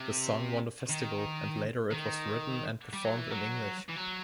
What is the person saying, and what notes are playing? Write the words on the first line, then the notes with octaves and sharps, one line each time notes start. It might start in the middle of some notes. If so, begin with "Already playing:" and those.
The song won the festival, and later it was written and performed in English.
Already playing: C3
D#3
D#3
G3
F#3
E3
F#3
E3
F#3